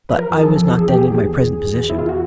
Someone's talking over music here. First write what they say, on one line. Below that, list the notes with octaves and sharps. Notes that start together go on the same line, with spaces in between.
But I was not then in my present position.
F3 B4
A#4
F2
G#4
A4
F3
E2 A4
G#4
E2 G4
G#4
E2
E2
E2
E2
B2
E4
E2 F4
F#4